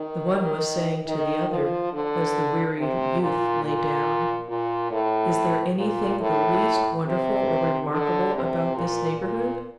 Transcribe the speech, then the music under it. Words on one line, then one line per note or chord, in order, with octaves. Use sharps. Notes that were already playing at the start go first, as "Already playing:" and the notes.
The one was saying to the other as the weary youth lay down, 'Is there anything the least wonderful or remarkable about this neighbourhood?'
Already playing: D#3
D#3
F3
D3
C3
A#2
A#2
A#2
A2
A#2
A2
C3
D3
C3
A#2
A#2